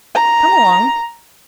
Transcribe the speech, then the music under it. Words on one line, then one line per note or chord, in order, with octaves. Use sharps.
Come along!'
A#5